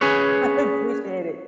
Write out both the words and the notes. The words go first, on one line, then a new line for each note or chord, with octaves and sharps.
I appreciate it.
C#4 G#4 B4 C#5